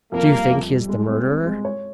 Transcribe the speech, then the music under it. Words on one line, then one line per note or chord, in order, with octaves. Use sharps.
"Do you think he is the murderer?"
F2 A#3
G3
F2
G3
G#3
C4
C4
G#3
C#5